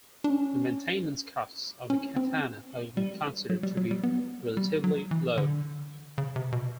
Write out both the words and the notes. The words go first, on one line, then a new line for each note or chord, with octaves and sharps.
The maintenance costs of the Katana have been considered to be relatively low.
D4
C#4
C#4
C4
G3
F#3
G3
F#3
G3
B3
G3
F#3
E3
D3
C#3
C3
B2